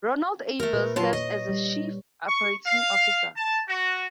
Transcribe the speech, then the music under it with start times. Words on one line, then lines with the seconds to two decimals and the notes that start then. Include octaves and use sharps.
Ronald A. Belz serves as Chief Operating Officer.
0.60 A3 A#4
0.73 A#2 B4
0.96 F#3 F4 C#5 A5
1.13 D#5
1.49 G3
2.27 C#6
2.66 F5
3.36 A5
3.68 F#4